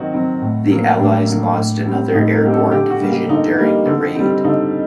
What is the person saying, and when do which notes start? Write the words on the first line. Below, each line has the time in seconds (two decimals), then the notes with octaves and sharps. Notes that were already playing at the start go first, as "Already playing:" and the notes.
The allies lost another airborne division during the raid.
Already playing: D#3 F#3 C4 F#4 D#5
0.14 F#3 C4
0.42 A2
0.71 F#3 A#3
0.99 A2 D4
1.28 F#3 A#3
1.57 A2
1.85 G3 C4
2.14 A2 D#4
2.33 A#4
2.43 G3 C4 G4
2.53 A4
2.71 D3 G4
2.90 F#4
3.01 G3 A#3
3.10 G4
3.29 D3 D#4
3.58 G3 A#3
3.86 D3
4.15 G3 C4
4.44 D3 D#4